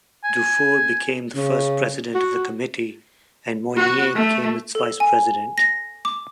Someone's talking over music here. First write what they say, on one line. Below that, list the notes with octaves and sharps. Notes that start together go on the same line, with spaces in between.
Dufour became the first president of the Committee, and Moynier became its vice-president.
G#5
C#3
F#4
B3 F#4
A3
A4
G#5
A#6
D6